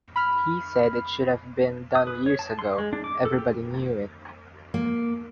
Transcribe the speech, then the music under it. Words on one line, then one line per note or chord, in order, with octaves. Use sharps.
He said it should have been done years ago, everybody knew it.
B5 F6
D#6
B4
C#5
A5
C6
G#3
D4
D6
A4
G4
A#3